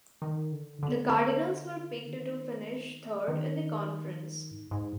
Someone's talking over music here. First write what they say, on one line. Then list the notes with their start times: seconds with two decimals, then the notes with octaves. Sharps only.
The Cardinals were picked to finish third in the conference.
0.22 D#3
0.52 D3
0.83 D3
2.06 D#3
3.28 D#3
4.51 G#2
4.71 G#2